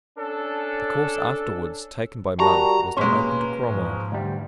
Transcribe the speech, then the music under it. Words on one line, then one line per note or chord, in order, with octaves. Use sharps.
The course afterwards taken by Monk was not open to Cromwell.
C#4 D4 A4
G3 F#4 A#4 A5 A#5 C#6
B2 G#3 A#3 C#4 B4 C6
G#2 F3
D2 G3